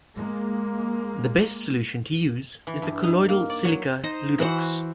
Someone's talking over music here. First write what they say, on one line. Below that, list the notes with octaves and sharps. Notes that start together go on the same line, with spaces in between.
The best solution to use is the colloidal silica, Ludox.
G#3 A#3
E3
G2
D#4
A#3
D5
F#3
D#4 C5 D#5
E3 F#4 C5 F#5